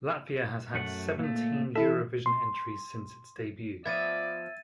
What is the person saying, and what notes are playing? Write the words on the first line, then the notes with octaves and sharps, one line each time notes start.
Latvia has had seventeen Eurovision entries since its debut.
F#2 A3 F#5
A#2 A3
E3 E4 A4 E5
C6
F3 B3 D5 E5 G#6 A6 D#7